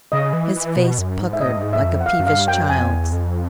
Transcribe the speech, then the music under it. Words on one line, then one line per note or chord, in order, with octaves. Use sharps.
His face puckered like a peevish child's.
C#3 D#5
E3
E3
B2
F#2
G#2
E5
A2 D#5
G2
G#2
E5
F2
F#5
F5
F#2
G2 F5
F#2 G5
F2 G#5
E2
F2